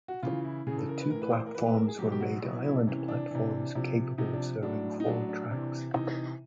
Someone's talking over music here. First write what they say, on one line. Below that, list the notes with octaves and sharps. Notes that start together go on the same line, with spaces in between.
The two platforms were made island platforms, capable of serving four tracks.
F#4
C#3 E3 F4
E4
C#3 E3 G#4
A4
A#4
B4
A2 E3 A#4
B4
C5
A#4
A2 E3 B4
B4
A#4
G#4
B2 F#3 G4
G4
F#4
B2 F#3
E4
E4
D4
C3 E3 C#4
D4
C3 E3
C3 F3
C3 F3 D#4
D4
A2 F#3 D4
D#4
A2 F#3 D4
D4
C3 E3
C3 E3 D#4